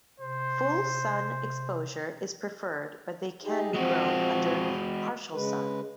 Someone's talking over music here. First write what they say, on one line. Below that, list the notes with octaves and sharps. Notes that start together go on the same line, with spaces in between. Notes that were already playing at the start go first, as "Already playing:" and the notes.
Full sun exposure is preferred but they can be grown under partial sun.
C3 C5
D#4 G4 G#4
F3 G#3 C4 F#4
C#3 G#3 B4